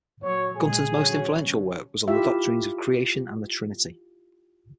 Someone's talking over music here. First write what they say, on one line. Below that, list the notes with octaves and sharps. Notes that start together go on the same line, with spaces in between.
Gunton's most influential work was on the doctrines of Creation and the Trinity.
A#1 F#3 C#5
A#2 G#3 G#4
D3 F#3 C#4
E4 F4 G4 E5